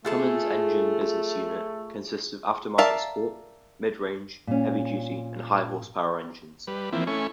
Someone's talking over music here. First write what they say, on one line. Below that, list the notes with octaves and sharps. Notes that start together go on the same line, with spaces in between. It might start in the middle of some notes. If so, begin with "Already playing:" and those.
Cummins Engine Business Unit consists of Aftermarket support, Mid-Range, Heavy-Duty, and High-Horsepower Engines.
A3 F4 G#4 A4
A#4 D5 E5 F5 A5
A#2 C#4
G3 B4
E3 F3 A#3 C4 E4
A3 C#4 E4 G#5 C#6